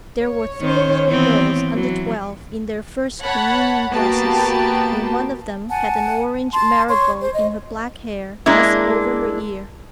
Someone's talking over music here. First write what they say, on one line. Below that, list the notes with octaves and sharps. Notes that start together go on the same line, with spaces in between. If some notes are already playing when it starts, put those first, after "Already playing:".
There were three little girls under twelve, in their first communion dresses, and one of them had an orange marigold in her black hair, just over her ear.
C#5
D#3 C5
E3 B3 C4
E3 F#3
C#5 F#5 A5 B5
A#3 B3 F#4 G4 A5
F#5 G#5 A5
A5 C6
C#5 C6
C5
D#5
G#3 A#3 D4 E4